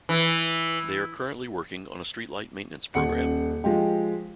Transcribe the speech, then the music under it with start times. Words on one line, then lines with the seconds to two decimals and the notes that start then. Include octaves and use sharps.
They are currently working on a streetlight maintenance program.
0.09 E3
2.94 D#1 F#5 C#7
3.64 F3 G#3 F4 G4